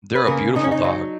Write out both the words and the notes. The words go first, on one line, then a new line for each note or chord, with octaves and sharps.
They're a beautiful dog.
B4
C#3 A#3 A#4
C#3 D#4
C#4
D#4
F#3 D#4